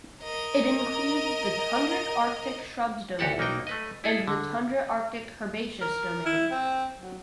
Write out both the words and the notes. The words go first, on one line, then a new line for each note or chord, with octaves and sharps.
It includes the tundra arctic shrubs domain and the tundra arctic herbaceous domain.
A#4 D#5
D2 F#4 G4 A4 F#5
B1 A#3 D#4 F#4 G5
A3 B4 D#5
E4 G#4 A4
D3
A#4
E4
C4
F#3